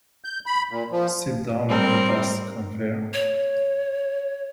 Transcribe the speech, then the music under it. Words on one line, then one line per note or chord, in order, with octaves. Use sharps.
Sit down and let us confer.
G6
B5
A#2
F3
G3 C4 A#4
C#5